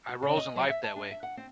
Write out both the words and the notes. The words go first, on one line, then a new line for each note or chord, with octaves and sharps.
I rose in life that way.
F#4
C#3
D#5
F#3
E5
A5
D4
E5
F#5
C4